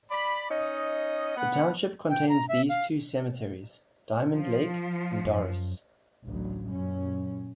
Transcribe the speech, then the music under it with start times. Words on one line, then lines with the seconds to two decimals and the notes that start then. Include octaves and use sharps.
The township contains these two cemeteries: Diamond Lake and Dorris.
0.11 D5 B5
0.50 C#4 D#4 D#5
1.37 B3 F#5
2.09 G5
2.29 A#5
2.49 E5
2.69 F5
4.33 F3
5.25 F#2
6.24 A1 D2 F#3
6.69 F#2 A#2 C#4